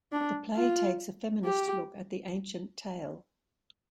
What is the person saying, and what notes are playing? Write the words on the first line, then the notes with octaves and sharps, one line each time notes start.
The play takes a feminist look at the ancient tale.
D4
F4
G4